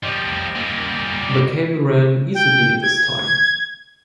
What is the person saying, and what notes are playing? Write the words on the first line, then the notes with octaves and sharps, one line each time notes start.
The cable ran easily this time.
F3 G3 D5 D#5
A#2 G3
G5
G#6